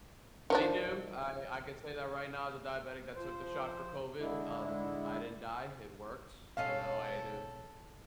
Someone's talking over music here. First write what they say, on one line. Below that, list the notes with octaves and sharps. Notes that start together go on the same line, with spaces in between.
They do, I I could say that right now as a diabetic that took the shot for COVID, um, I didn't die, it worked, you know? I had to
D#3 F3 D4
F3 C5
D3 G#3 D4 E4
B2 C#4 A4 D#5 F5